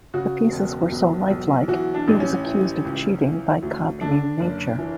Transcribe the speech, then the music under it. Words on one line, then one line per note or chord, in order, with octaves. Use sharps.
The pieces were so lifelike, he was accused of cheating by copying nature.
C#3 F#4
E1
B1
B1
E3 F#4
D4
A1
C#4
E3
C#2
E3
D2
D3 D4
F#1
E3